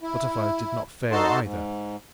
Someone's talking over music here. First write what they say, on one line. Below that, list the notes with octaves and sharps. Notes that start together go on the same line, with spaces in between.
Butterflies did not fail either.
E4
D#4 F#4 A4 A5 C6
G#2